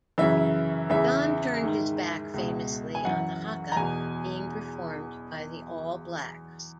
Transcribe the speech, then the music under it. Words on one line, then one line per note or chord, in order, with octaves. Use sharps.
John turned his back famously on the haka being performed by the All Blacks.
F#2 C#3 E3 E5
E2 C#3 E3 E5
G#2 D#3
C#2 B2
G#5
F#2 E3 F#5
A#5
E2 B2 G#5